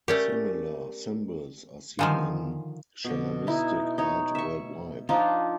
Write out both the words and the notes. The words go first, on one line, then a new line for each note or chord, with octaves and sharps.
Similar symbols are seen in shamanistic art worldwide.
A3 C#4 G4 A#4 D5
D3 D#3 F3 F5 G#5
B2 D3
D#4 E4
D#4 C#5
E5 C#6
F3 D4 D#4 F4